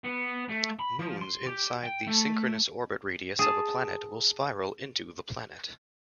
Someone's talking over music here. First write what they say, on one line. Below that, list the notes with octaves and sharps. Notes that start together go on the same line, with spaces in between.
Moons inside the synchronous orbit radius of a planet will spiral into the planet.
B3
A3
B5
F3
C6
G4
G5
A3
G#4 A5